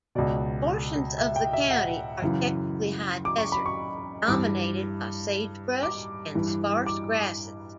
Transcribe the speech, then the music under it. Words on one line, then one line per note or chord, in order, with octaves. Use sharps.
Portions of the county are technically high desert, dominated by sagebrush and sparse grasses.
C#2 B2 D5
E5
G5
E5
F#5
F#2 C#3 E3
D6
C#6
B5
C#6
G2 E3 D6
D6
G2 E3
D6